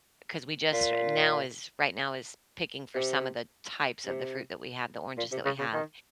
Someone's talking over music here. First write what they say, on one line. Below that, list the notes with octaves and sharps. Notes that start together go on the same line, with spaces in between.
'cause we just now is right now is picking for some of the types of the fruit that we have the oranges that we have,
A#2
C3
C3
A#2
C3
C#3
C#3
D#3